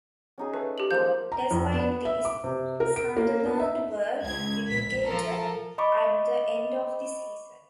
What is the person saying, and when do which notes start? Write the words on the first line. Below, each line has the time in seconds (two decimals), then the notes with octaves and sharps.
Despite this, Sunderland were relegated at the end of the season.
0.38 C#4 D#4 G#4
0.54 A3 B4
0.78 G4 F#7
0.91 F3 G#3 A#3 G6
1.32 A#5
1.51 F2
1.74 B3
2.05 E5
2.25 D6
2.44 C3
2.80 A#4
2.96 D7
3.17 A#3
3.46 B3
3.59 E5
4.22 C#2 G#6
4.67 A#1 B6
5.03 F3 A4 A#4
5.78 D#5 B5 C#6 D6